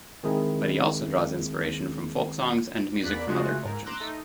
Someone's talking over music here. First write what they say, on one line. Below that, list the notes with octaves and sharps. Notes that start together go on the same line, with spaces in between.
But he also draws inspiration from folk songs and music from other cultures.
D#3 G#3 C4 E4 G#4 A#4
E2 A#3 D5 B5 F#6 B6
C#3 G#3 A3 F4 F#4
G#2 A#4
A#5 C6 D6 E6 F#6
A3 D#4